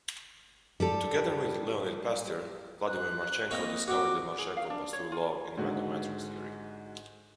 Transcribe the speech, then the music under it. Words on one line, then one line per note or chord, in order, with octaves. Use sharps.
Together with Leonid Pastur, Vladimir Marchenko discovered the Marchenko-Pastur law in random matrix theory.
G3 G4 A4
F#6
A#3 C4 C#5 D#5
C4 F#4 D6
G#4
F5
D4
C#5
F4
G#2 D3 F#4 G#4